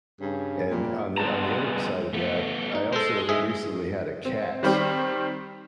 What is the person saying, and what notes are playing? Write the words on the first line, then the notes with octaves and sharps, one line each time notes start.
and on the on the other side of that, I also recently had a cat,
G2 C#3
A#2 G3
G3 G#3 B3 A5 A#5
A3 B3
D#4
G#3 A4 C5
G#2 G#4 E5
C4
D#3 G3 C4 G4